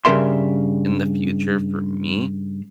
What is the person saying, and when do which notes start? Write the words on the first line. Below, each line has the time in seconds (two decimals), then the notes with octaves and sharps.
in the future for me
0.05 G2 C#3 C#4 A#4 E5 C6